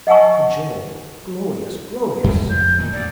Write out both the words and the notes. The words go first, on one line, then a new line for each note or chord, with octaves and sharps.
By Jove! glowious! glowious!
D#5 F#5 G#5 A5 C#6
F2 A2 G#3
F2 G6
A#2 D#3 A3
D2 D5